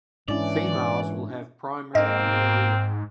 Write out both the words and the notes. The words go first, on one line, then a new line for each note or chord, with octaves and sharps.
Females will have primary amenorrhea.
G#2 E3 G#3 C#4 D4 E4 D5
G#2 A#3 C4 D#5